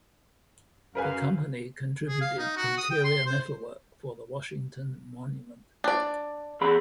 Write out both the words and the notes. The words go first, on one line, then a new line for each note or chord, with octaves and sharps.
The company contributed interior metalwork for the Washington Monument.
F#2 A#4 B4 F5 G#5
G#4
F5
D#4
F#4
D#6
G5
C6
C5
D4 D5
E2 G#4 B5